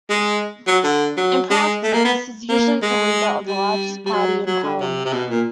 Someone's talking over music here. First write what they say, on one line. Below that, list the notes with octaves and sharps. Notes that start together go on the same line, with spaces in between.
In practice, this is usually the leader of the largest party in Parliament.
G#3
F#3
D3
F#3
G#3
A3
A#3
B3
A#3
G#3
G3
G3
F#3
F#3
D3
C3
C3
B2
A#2